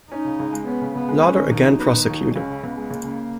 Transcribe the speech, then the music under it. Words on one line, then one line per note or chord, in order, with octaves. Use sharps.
Lauder again prosecuted.
C#4 D#4
C#3
C#2
G#3
B3 C#4
C#3
C#2 B3
G#3
B3 C#4
D#3
D#2 D#4
F#3
B3
D#3
D#2
F#3
C#2 C#4
C#3
C#2 B3
G#3
C#2 A#3
C#3